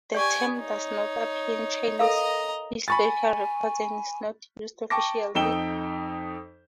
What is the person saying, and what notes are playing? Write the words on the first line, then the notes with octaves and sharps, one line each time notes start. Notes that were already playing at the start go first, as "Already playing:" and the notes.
The term does not appear in Chinese historical records and is not used officially.
G4 D5 G#5 C#6
D#4 C#5
A4 A#4 D#5 F5 A#5
G#5 B5 C#6 A6
G5 A5 C#6 D6 A#6
F2 D#4 A4 G5 E7 G7